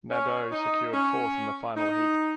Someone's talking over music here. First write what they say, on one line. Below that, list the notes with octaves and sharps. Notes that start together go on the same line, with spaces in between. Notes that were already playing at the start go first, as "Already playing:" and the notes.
Nadeau secured fourth in the final heat.
C#4
D#4
C#4
D#4